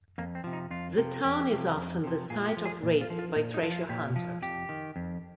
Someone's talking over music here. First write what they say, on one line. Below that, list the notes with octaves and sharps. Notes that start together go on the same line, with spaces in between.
The town is often the site of raids by treasure hunters.
F2 A#3
C4
C3 F3
D#4
F2 F4
C3 F3
F2 G4
C3 F3
F2
C3 F3
A#2 G#4
G4
F3
G#4
A#2
F4
F3
F4
A#2 D#4
D#4
F3
F4
A#2 G4
F3
F2 G4
D#3
F2